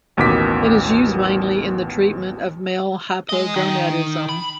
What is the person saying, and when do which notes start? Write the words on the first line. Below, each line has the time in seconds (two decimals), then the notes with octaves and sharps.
It is used mainly in the treatment of male hypogonadism.
0.17 A1 D#2 B2 A#4 D6 B6
3.29 G#4 D#5
3.56 D#3
4.29 B5